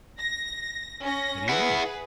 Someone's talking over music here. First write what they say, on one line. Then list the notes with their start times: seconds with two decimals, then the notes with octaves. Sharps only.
"What do you mean?"
0.20 A#6
1.03 C#4 A#6
1.49 E4 G#4 B4 F#5